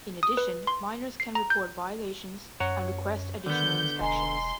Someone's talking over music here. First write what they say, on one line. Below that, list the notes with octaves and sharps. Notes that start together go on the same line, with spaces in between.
In addition, miners can report violations, and request additional inspections.
D#6
B4
C6
C7
A#5
G6
F#2 C#5 F#5 A#5
D3 D#3 B3 G6
E1 D#5 G#5 A#5 C6